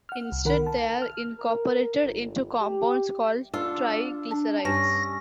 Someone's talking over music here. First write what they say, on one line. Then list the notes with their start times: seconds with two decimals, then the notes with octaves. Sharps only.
Instead, they are incorporated into compounds called triglycerides.
0.09 F#5 F6
0.32 C2
0.45 D#3 A#4 F#5 B5
0.67 A5
1.02 F6
1.39 A#4
2.03 G1
2.60 G4
3.54 D4 F4 A4
4.32 D4
4.65 G2 C#4 A#6